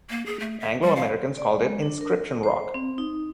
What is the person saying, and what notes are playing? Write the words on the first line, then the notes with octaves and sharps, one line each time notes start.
Anglo-Americans called it Inscription Rock.
A#3
G#4
A3
E5
G3
F5
D5
G#3
D4
A#4
C5
C4
D#4